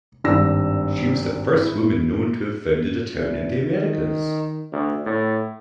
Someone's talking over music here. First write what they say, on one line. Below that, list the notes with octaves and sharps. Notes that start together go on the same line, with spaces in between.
She was the first woman known to have founded a town in the Americas.
G#1 G2 D5 E6 A#6
E4
E2
D#3
D2
A2